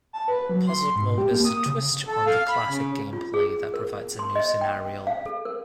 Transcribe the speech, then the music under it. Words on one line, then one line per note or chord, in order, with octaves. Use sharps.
Puzzle Mode is a twist on the classic gameplay that provides a new scenario.
A5
B4
F#3
C6
G#2
G4
A#3
D#6
C#3
A4
F5
B5
C#3
F4
G#4
A#4
C6
D#5
G5
F5
A4
A#4